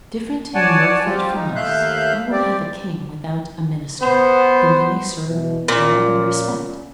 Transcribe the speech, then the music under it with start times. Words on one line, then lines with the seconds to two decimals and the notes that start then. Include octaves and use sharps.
Different in your fate from us, you will have a king without a minister, whom you may serve, love, respect.
0.55 C#5 D5 F#5 G#5 A5
1.05 G3 C4 F4 G4
1.34 D#4
1.56 D#2 A3 E5 F5 F#6 G6
2.31 C4 G4 D5
4.02 B3 C5 C6
5.25 B2 E3
5.68 A#2 C#4 F4